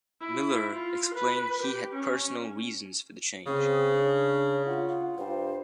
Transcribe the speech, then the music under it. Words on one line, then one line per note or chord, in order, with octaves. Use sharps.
Miller explained he had personal reasons for the change.
E4
F4
B4
G4
C#4
C#3 C4 D#6
D4 C#5
F4 F#5
G2 C5